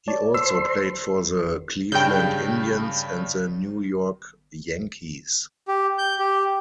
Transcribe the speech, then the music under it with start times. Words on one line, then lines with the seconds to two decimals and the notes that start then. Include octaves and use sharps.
He also played for the Cleveland Indians and the New York Yankees.
0.08 C#5 D5 A5
0.34 C5 C6 E6
1.92 G2 C#3 G5 G6
5.68 G4
5.98 G6
6.19 G4